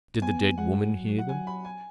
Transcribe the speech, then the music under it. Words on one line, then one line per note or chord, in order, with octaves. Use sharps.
Did the dead woman hear them?
B3 G#5
G#3 F#5
F#3
F#5
G#5
B5
G#5